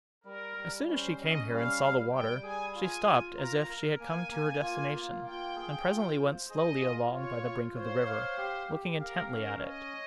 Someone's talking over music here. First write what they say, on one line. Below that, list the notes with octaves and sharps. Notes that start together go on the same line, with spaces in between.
As soon as she came here, and saw the water, she stopped as if she had come to her destination; and presently went slowly along by the brink of the river, looking intently at it.
G3 A#4
G3
C#4 C5
C#4 D#5
G3 F5
G3
G3 G5
G#4 G#5
F4 G#5
F4
A#4 A#5
A#4
A#3 G#5
A#3
F4
A#3
F4 G5
G#4
F4
C5
G#4 D#5
F4
F4 C#5
F4
C5 C#5
F5
G4
G4
A#4 F5
C#4 A#4
C#5 D#5